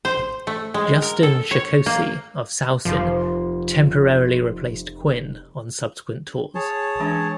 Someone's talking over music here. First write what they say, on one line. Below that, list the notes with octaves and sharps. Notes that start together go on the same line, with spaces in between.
Justin Shekoski of Saosin temporarily replaced Quinn on subsequent tours.
C5
A3
G#3
A#4
A4
C#5
A#3
F1 F3 D5 C6
G#4 C#5 A5
E3 G#3 D4